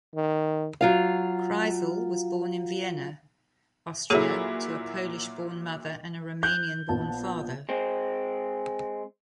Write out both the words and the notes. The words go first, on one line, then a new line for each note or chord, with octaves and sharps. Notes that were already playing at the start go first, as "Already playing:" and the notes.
Kreisel was born in Vienna, Austria to a Polish-born mother and a Romanian-born father.
D#3
F#3 F4 F5
A#2 F#3 E4 G#4 A4 C#5
F#6 G6
A#1 B3 A5
G#3 C4